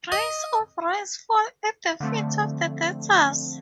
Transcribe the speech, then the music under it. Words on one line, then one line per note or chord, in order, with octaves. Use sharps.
Grains of rice fall at the feet of the dancers.
D#5
D3 F3 A3 C4